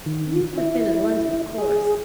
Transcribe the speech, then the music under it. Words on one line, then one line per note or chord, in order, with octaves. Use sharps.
You have been in London, of course.'
D#3
E4
G#4